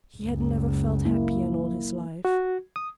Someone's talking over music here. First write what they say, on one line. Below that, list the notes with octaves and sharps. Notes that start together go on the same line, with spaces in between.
He had never felt happier in all his life.
F#1 C#2
F#3 A#3 E4
F#4
D#6